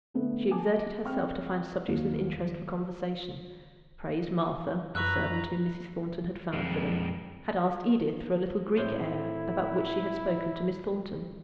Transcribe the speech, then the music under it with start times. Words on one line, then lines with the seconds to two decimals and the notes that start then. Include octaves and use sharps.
She exerted herself to find subjects of interest for conversation; praised Martha, the servant whom Mrs. Thornton had found for them; had asked Edith for a little Greek air, about which she had spoken to Miss Thornton.
0.14 D3 A3 B3
0.51 G#5 A5 D6
1.04 C4 G5 C#6 F6
1.88 D#2 D#3 F#3
4.95 F#2 B4 A#5 C#6 E6 F#6
6.53 F2 G#3
8.77 A2 C4 E4 C6